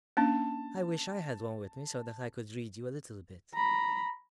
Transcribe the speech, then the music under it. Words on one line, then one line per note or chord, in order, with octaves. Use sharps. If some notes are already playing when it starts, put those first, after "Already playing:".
I wish I had one with me, so that I could read you a little bit.
A#3 C#4 D4 A5
A#5 B5